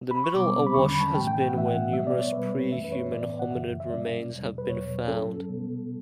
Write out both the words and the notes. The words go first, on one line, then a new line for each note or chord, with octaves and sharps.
The Middle Awash has been where numerous pre-human hominid remains have been found.
B5
C#6
B2 G3 B3 D6
B5
E2 D3 G3 C#4 C#6
B5
A5
A2 E3 A3 G5
G5
G5
F#5
A2 E3 A3 C#4 E5
F#5
B2 G3 B3 E5
D5
C#5
B2 G3 B3 B4
C#5
F#2 E3 A3 C#4 E5
B4
C#5
A2 E3 B3 D5
F#5
F#2 C#3 E3 E5
E5
B2 G3 C#4 D5
E2 B2 G3
B4
E2 B2 F#3 C#5
G2 F#3 C#4 A4
B2 G3 B3